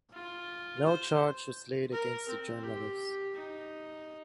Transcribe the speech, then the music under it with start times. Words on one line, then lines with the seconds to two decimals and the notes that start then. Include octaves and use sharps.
No charge was laid against the journalist.
0.13 F4
0.85 C5
1.92 A#4
2.28 C4
2.64 G4
3.35 D#4